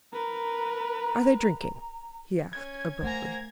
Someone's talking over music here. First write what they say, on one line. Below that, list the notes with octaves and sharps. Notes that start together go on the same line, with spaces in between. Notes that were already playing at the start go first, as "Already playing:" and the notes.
"Are they drinking?" he asked abruptly.
A#4 B4 A#5
C#4 G#6
A3 A#3 C5 F#5 G#5 A#5